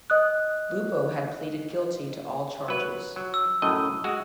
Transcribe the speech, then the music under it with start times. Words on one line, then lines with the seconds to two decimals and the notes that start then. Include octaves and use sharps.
Lupo had pleaded guilty to all charges.
0.10 D#5 D#6 F#6
2.68 F#3 B4
3.16 F#3
3.34 E6
3.62 F#2 A2 D#5
4.04 G#3 F#4